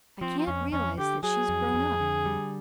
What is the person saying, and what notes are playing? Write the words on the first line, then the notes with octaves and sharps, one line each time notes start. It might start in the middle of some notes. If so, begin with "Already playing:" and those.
I can't realize that she's grown up.
F3 C4
C4
F2 C#4
F2 C#4
D3 G4
F#3 G#4
F2
F2
D3
G3